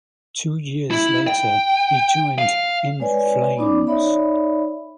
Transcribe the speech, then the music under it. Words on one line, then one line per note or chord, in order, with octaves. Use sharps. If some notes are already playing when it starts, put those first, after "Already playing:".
Two years later he joined In Flames.
E4
G5
F5
G#3 B4 C#5 D5 G#5
B3 C#4 D#4 D5 B5 D6
D#4 C#5 D5 E5 B5